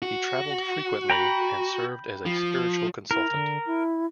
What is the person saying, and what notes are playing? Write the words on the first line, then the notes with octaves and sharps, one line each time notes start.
He traveled frequently and served as a spiritual consultant.
F#4
G5 A#5 B5
F3
E4 A#4
D3
E4